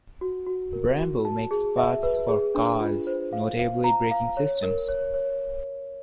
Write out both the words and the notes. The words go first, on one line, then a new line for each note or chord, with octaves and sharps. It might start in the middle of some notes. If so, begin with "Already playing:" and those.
Brembo makes parts for cars, notably braking systems.
F#4
F#4
A#4
F#4
A5
G#4
E5
B4
G#4
D4
F4
C5
F5
F5
A#5
F5
C#5
A#4
C#5
C#5